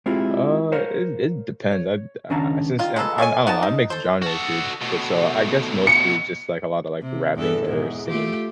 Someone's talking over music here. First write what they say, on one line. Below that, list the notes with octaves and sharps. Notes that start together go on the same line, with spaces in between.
Uh, it it depends, I'd uh, uh, since I'm I'm I don't know, I mix genres, dude, but so, I guess mostly just like a lotta, like, rapping, or singing,
G#3 C4 E4 F4 G4
A#4 C5 C#5 F5
C#5
C#2 D#3 C#4 D4 A5 A#5
D#3 F4
G#3 A#3 A4 B4
A4 C#5 D#5 G#5
B3 D#4 A#4 A5
D#4
A4 C5
F#4 A4
B2 A3
C#7
C3
E2 G2 A4
E2 G#2 B2
A3 F4 G4